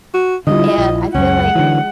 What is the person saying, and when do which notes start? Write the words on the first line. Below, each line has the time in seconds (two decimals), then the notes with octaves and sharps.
and I feel like
0.14 F#4
0.47 D3 F#3 G3 E4 F4 D#5
0.78 A#1
1.14 C#2 F#2 G#3 C#4 F#5
1.55 D3 E3 F#3